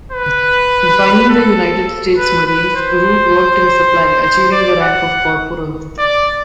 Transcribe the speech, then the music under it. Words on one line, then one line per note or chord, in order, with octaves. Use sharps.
Joining the United States Marines, Root worked in supply, achieving the rank of corporal.
B4
A4
B4
B4
C5
C5
D5
F#5
D5